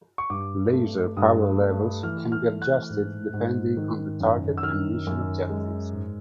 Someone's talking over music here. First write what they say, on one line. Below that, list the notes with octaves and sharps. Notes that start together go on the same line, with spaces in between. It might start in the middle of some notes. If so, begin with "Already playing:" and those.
Laser power levels can be adjusted depending on the target and mission objectives.
C#6
G2 D6
A3
G2 D#6
A3
E3 F6
F6
A3
F#6
G#2
G#2
D#3
F#2
E6
D#3 F6
F#2
G#3
G#2